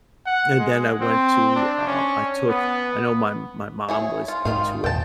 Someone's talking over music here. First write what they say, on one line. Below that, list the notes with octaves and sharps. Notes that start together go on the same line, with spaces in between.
and then I went to uh, I took I know my my mom was into it,
F#5
G#3
C4
D4
C#4
B3
E4 G#4 C#5
F4
G#2 D#3 F4 F5
E2 A#2 D#3 G5 A5